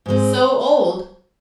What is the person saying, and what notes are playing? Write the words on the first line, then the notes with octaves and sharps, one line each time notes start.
So old!
G#2 G#3 C4